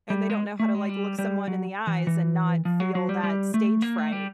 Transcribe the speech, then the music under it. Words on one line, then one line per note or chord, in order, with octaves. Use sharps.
and they don't know how to, like, look someone in the eyes and not feel that stage fright
G3
G#3
A3
G#3
G3
G3
F#3
E3
E3
F3
F#3
F#3
G3
G3
A3
A#3
A3
G3